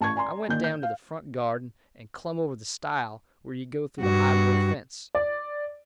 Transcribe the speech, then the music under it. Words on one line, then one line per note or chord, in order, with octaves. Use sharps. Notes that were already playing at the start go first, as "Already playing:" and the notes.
I went down to the front garden and clumb over the stile where you go through the high board fence.
A1 A5 C#6 G#6
D5 G#5 A#5 C6
A#2 D#3 G6
G6
F5
G2 F#4
D5